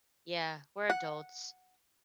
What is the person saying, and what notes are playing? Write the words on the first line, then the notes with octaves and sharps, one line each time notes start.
Yeah, we're adults.
F#5